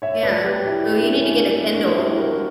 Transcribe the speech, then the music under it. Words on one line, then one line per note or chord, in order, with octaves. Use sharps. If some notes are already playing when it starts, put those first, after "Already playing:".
Yeah, ooh, you need to get a Kindle.
C#5 E5
B4 D5
G4 B4
E4 G4
E4
D4
C#4 E4
B3 D4
D4 F#4
E4 G4
F#4 A#4